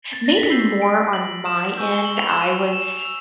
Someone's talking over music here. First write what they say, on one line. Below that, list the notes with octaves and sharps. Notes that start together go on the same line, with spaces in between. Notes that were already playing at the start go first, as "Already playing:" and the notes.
m maybe more on my end, I was
A6
A#6
B6
B5 E6 G6 C7
D7
F#7
E7
G#5 C#6 E6 G6
G7
F#7
F7
E7
D#7
E7
F7
E6